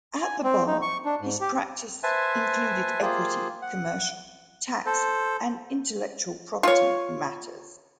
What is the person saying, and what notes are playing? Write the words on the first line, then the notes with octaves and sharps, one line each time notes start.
At the bar, his practice included equity, commercial, tax and intellectual property matters.
G#5
C4
D#4
C#6
D4
G#2
G4
B4 C5 E5 G#5 A5
A#3 F4 G4 G#4 C5
F#5
A4 C5
F4 C#5